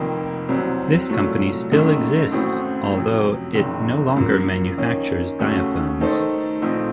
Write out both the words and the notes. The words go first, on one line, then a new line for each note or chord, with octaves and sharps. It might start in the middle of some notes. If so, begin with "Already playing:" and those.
This company still exists, although it no longer manufactures diaphones.
Already playing: F1 F2 D#3 A#3
C2 C3 F#3 C4
C2 A#2 F#3 A3
F#1 F#2 D#3 A3
A1 A2 A3 C4 F#4
F2 C3 F#3
F#1 F2 C3 D#3
F#2 F3 A#3
D#3 A#3 C#4
D#2 C#3 A3 C#4 F#4
D#3 A3 D#4 A4 C5
A#1 A#2 A3 C4 D#4